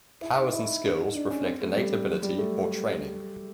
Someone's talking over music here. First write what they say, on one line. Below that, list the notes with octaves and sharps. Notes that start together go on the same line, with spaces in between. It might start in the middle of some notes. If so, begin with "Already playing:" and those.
Powers and Skills reflect innate ability or training.
E4
D#4
E4
D#4
D4
D#4
D4
C#4
C4
A3
G3
F#3
G3
A3